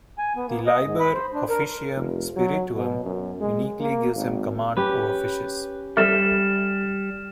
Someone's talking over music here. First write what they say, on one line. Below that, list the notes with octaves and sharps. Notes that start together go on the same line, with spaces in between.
The "Liber Officium Spirituum" uniquely gives him command over fishes.
G#5
B3
A#3
D#5
G#2
B5
C5
D4
A#4
F1
F#3
B2
F#2
G#3
A#3
G#1
C#4 G4 B4
G3 A3 C4 A4 F6 E7